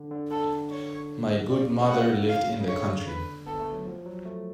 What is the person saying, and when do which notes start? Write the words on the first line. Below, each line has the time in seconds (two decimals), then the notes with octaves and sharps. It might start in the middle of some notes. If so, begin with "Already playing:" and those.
My good mother lived in the country.
Already playing: D3
0.11 D3
0.31 D3 A4
0.71 C#5
1.49 C#3 D5
1.69 C#3
1.89 C#3 F#5
2.28 F5
2.61 C#3
2.68 D3 C#5
3.07 B4
3.46 B3 A4
3.60 A3
3.73 F#3
3.86 F3
4.06 F#3
4.25 A3